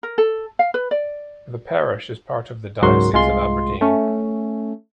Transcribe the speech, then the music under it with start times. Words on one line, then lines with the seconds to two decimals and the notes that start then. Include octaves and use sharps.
The Parish is part of the Diocese of Aberdeen.
0.03 A#4
0.18 A4
0.59 F5
0.74 B4
0.91 D5
2.82 C#2 G#2 F#3 F#4 A#4 C6
3.13 C2 G#3 F4 C6
3.81 A3 C#4